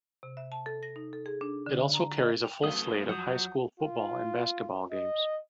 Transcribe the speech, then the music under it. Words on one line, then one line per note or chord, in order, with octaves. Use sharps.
It also carries a full slate of high school football and basketball games.
C3
E5
A5
A4
A#6
D#4
A4
G#4
D4
D3
A#5
D#5
G5 E7 F7
F#3 A3 B3 F5 D#6 G#6 G7
F2 F#3 F#5 D#6 G6
F4
D#5